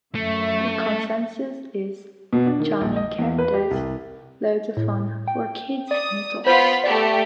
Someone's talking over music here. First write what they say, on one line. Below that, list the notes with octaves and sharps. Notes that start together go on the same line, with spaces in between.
The consensus is: Charming characters; loads of fun for kids and adults.
F#2 A3 E5
B2
D4
D#3
A#1
D#5
E2
B4
G4
C2
A2
G5
D5 D#6
B3 F4 C5 B5
A3 G4 D5